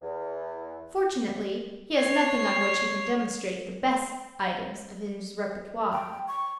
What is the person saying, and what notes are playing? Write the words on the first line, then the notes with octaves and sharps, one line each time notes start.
Unfortunately he has nothing on which he can demonstrate the best items of his repertoire.
E2
C#5 C7
G5
C#6